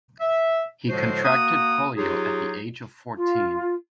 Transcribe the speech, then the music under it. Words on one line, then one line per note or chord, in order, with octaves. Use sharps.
He contracted polio at the age of fourteen.
E5
A2 D3 F3 G#3 F#4 C5
A#3 F#4 F#5 D#6
F#3 D#4 F4 G4 G#4
F4